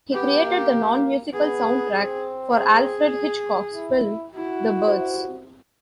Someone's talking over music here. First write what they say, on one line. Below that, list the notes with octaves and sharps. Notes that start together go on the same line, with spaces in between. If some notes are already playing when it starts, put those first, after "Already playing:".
He created the non-musical soundtrack for Alfred Hitchcock's film "The Birds".
B3 G4
A#3
B3 G#4
C4
G#4
E4
E4 F#4